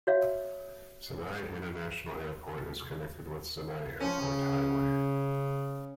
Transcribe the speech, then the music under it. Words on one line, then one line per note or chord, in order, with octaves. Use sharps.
Senai International Airport is connected with Senai Airport Highway.
F#4 C#5 E5 F5
F3 C#4
C#3